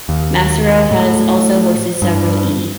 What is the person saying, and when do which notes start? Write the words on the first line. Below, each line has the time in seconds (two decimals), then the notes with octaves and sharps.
Massaro has also hosted several E!
0.09 D#2
0.91 A2
2.02 G2